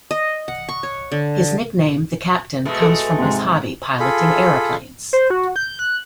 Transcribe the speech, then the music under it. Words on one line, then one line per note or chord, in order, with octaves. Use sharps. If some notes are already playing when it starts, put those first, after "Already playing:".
His nickname, "The Captain", comes from his hobby, piloting aeroplanes.
D#5
F#5
C#6
C#5
D3
B2 G#3 A3
A4
G#2 C3
F4 G#4 A4 B5
C5
F#4
G6
F#6